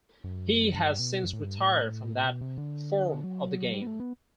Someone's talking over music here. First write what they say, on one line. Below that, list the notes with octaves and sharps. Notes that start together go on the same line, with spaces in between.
He has since retired from that form of the game.
F#2
G2
B2
F#2
A2
G2
A2
B2
C3
D3
F#3
G3
B3
A3
B3